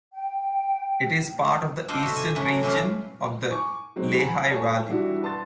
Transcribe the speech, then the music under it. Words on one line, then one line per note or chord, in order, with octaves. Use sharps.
It is part of the eastern region of the Lehigh Valley.
G5
D4 F4 A4 C5 D#5
F#4 E5
G#5
A3 C#4 G#4 B4
F#3
C3 F3 C#4 B4 D5 F5
G#5 C#6 D6
F#3 G#3 C4 D#4
F#5 G#5 A#5 B5
A4 C#5 G#5 A5
E3 G3 D4 E4 F#4
B4 A5 C6 A6